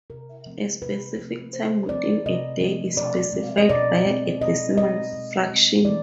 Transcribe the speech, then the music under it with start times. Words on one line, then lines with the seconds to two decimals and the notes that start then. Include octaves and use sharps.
A specific time within a day is specified via a decimal fraction.
0.10 C3 A#4
0.46 F3 A3 C4
0.82 C3 B4
1.17 F3 A3 C4
1.53 C3 C5
1.89 F3 A3 C4 D5
2.26 C3 D#5
2.61 F3 A3 C4
2.97 B2 D5
3.33 G#3 C4
3.58 D#5
3.69 B2 D5
4.05 G#3 C4
4.41 B2 D#5
4.78 G#3 C4 D#5
5.13 B2
5.48 G#3 C4
5.85 E3 D5